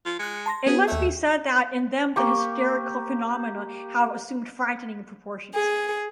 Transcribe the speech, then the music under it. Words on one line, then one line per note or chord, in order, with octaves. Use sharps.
It must be said that in them the hysterical phenomena have assumed frightening proportions.
F3
G#3 F#6 C#7
A5 C6 A#6
B3 F#4 G#4
D#2 A3 E5
A#3 G4 C#6
G#4